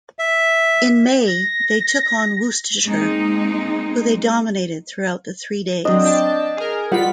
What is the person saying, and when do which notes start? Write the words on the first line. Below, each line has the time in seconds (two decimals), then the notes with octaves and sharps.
In May they took on Worcestershire, who they dominated throughout the three days.
0.19 E5
1.28 A#6
2.85 G#3 A#3 C4 D#4
5.85 F#3 C4 D4 D#5
6.04 D4 G5 A5
6.57 G#4 A#4
6.92 G3 F4 F#5 B6